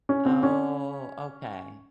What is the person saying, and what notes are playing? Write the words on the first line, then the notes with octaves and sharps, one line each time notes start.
Oh, okay.
C#4
C4
C#4